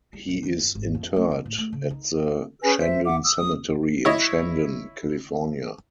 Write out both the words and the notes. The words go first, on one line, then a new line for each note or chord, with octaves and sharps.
He is interred at the Shandon Cemetery in Shandon, California.
G3
A#2
D#3
G2
G#1
F2
A3
C#4
A2
A3
C#3
D#4
C#4 G#4 B4 G#5
C5 E5
E5 F#5 D6
D#6 E6
D#6
E4 C#5 D#5